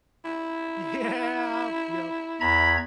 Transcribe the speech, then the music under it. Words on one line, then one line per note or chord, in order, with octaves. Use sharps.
Yeah. Yep.
E4
E2 A#5 B5 G#6